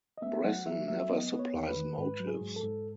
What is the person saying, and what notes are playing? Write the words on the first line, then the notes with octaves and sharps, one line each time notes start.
Bresson never supplies motives.
D#5
B3 E5
F#3 F#5
F#3 E5
F#3 E5
E5
B3 D#5
B3
C#5
E2 C#5
B4
D#3
G#2 B4
F#3
G#4
G#2
A4
G#2